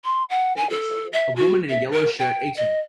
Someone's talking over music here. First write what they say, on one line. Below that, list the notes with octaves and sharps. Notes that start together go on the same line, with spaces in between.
A woman in a yellow shirt eating.
C6
F#5
G#5
A4
E5
F#4
E5
A#4
G5
D#5